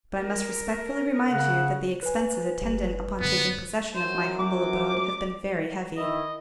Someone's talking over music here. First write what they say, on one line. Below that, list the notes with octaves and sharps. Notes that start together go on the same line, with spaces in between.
But I must respectfully remind you that the expenses attendant upon taking possession of my humble abode have been very heavy.
A#4
C#3 F#5
B4 G#5
F#1 G3
F#2 D3 B3
F#2 F#3 C5
D6
D#3 E4 D#5